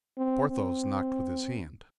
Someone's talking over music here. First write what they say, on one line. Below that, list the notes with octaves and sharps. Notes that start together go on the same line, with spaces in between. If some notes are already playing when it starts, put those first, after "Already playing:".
Porthos knocked with his hand.
C4
C4